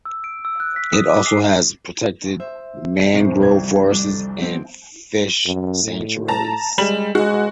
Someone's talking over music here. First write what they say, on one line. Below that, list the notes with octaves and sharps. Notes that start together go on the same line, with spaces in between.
It also has protected mangrove forests and fish sanctuaries.
E6
D7
E6
F#6
B6
D#6
D6
C7
C5 E5
F#1 A2 C3 D#4 C5
C2 F2 G3 G#6
D4 A4
F3 B3 C4
F#2
A2
A5 A#5
G3 G#3 E7 F#7
G#3 F#4